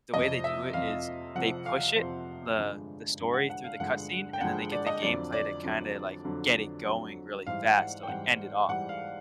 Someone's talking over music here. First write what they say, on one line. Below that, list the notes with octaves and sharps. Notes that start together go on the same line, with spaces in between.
the way they do it is they push it, the the story through the cut scene, and then they get the gameplay to kinda, like, get it going really fast to, like, end it off.
F2 C3 F3 D#5
E5
F2 C3 F3 F5
F2 C3 F3 F#5
F5
F2 C3 F3 C5
G2 D3 F3 G#3
G2 D3 F3 G#3
F#5
F#5
F5
G2 D3 F3 G#3 F#5
G5
G2 D3 F3 G#3 F#5
D5
D#5
F2 D3 F#3 D5
D5
F2 D3 F#3
F2 D3 F#3
F2 D3 F#3
G#2 E3 G3 F5
F#5
G5
G#2 E3 G3 F#5
G#2 E3 G3 F#5
F5